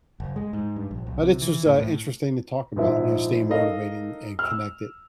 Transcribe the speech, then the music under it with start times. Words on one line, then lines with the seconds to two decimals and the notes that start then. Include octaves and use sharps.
Uh, this was, uh, interesting to talk about, you know, staying motivated and and connected,
0.20 F#1
0.36 G#3
0.53 G#2
0.76 G2
0.91 A#1
1.07 B1
1.22 C3
1.41 E3
1.66 A2
1.78 A2
2.76 A#1 G#2 F3 E4
3.49 D#4 A4 A#4 D#5 F5
4.39 E6 F6